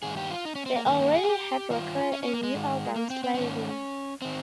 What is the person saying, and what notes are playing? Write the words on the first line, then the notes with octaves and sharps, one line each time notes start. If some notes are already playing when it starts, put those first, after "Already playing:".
They already had recorded a new album "Slide It In".
G2 D#3 G#4
G4
F4
D#4
C#4
C4
A#3
G2 D#3 A#3
A#3
G#4
F4
G4
G2 D#3 F4
C#4
C#4
A#3
G#3
G#2 D#3
A#3
C4
C4
C4
G#2 D#3 C#4
D#3 C4